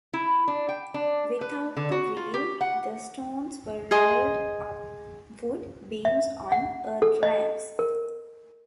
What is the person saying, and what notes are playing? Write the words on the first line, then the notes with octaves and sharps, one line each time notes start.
Without the wheel the stones were rolled up wood beams on earth ramps.
E4
D4
G5
D4
B4
D3
F#4
F4
G4
F#5
G#4 D#5 C6
E5
F#5
A4
D#5
A#4